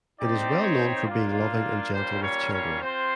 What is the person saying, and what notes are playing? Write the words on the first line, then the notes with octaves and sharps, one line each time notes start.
It is well known for being loving and gentle with children.
C4 D#4 G4 D5
C#5
A#3 D4 F4
G3 A#3 C#4 F4 C5
C#5
C#5
C4 F4 C5